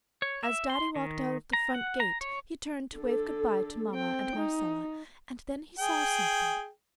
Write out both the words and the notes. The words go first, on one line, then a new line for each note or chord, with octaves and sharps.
As Daddy walked out of the front gate, he turned to wave good-bye to Mama and Marcella and then he saw something.
C#5
E5
C6
D#3
A#5
F#5
A#5
C#5
D3 A4
C4 G5
D#4
G#4 G5